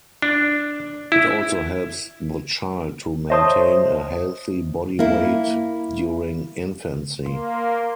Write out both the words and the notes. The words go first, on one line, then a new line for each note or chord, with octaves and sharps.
It also helps the child to maintain a healthy body weight during infancy.
D4
E4
C5 C#5 D#5 E5 A5 D#6
A#3 E4
A#3 C6
C6